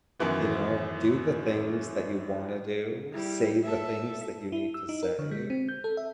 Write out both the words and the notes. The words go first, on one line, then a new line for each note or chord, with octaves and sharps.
you know, do the things that you wanna do, say the things that you need to say,
F#2 D#3 E3 B3
G3 E4
A4 E5
E4
E6
D#4
A#4
D3
G#3
C4
G6
A4
E5